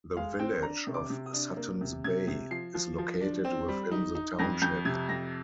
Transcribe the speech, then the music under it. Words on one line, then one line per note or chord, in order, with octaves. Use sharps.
The village of Suttons Bay is located within the township.
G#3 F5
C4 G5
D4 A#5
C3
D6
C3
D#6
D4
A#3
C3
C3 G#6
C3
F3 C7
F3
F3
D4
C4
G3
D#4
D#4
F2 A#6
F2 G6
C3 G#6
F2 A#6